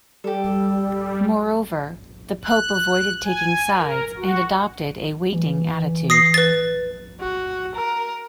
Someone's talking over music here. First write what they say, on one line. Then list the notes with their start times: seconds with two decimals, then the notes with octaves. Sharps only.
Moreover, the pope avoided taking sides and adopted a waiting attitude.
0.24 G3 G4 A4
2.44 F#6
3.25 G#5
3.78 A#4
4.17 F#4
5.33 E3
6.10 D#6 A#6 C7
6.34 B4 A6
7.21 F#4
7.75 A#4